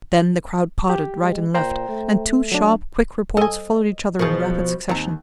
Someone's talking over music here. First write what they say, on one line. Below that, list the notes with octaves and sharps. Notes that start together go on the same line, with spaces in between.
Then the crowd parted right and left, and two sharp quick reports followed each other in rapid succession.
G4
G#3
A#2 C5 G5 A#5
A3
F#3 D4
A4 D#5 G#5
B2 F3 G#4 A#4
D#2 C4 A#5